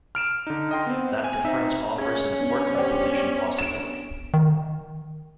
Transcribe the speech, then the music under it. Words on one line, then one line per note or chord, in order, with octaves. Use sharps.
That difference offers an important regulation possibility.
F6 D7 E7
D3 D#4
D#5 G5 C6
B3 C4
G#5
C4 D#4 E5
C#4 G#4 G#6
B3 D4
G4 C5 D5
D7 E7
D#3